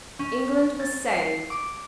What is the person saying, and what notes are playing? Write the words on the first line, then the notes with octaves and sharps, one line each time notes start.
England was saved.
C#4
A6
C7
D6